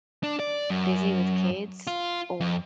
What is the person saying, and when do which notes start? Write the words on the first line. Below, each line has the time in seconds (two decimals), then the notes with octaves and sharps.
busy with kids or
0.24 D4
0.40 D5
0.70 F#2
1.87 F4
2.40 F2